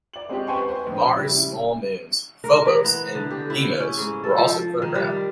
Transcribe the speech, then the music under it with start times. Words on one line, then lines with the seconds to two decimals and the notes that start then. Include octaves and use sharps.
Mars' small moons, Phobos and Deimos, were also photographed.
0.13 D5 F#7
0.29 G#3 C4 C#4 G4
0.47 B4 G5 G#5 C6 C#6
0.67 B4 C5
0.87 A#1
1.16 C#3 G3 E4
2.44 A#4
2.66 E3
2.84 B3
3.15 D3
3.31 G4
3.50 E4
3.80 C#4
3.97 G#2
4.24 A4
4.38 F3
4.82 D#3
4.95 G3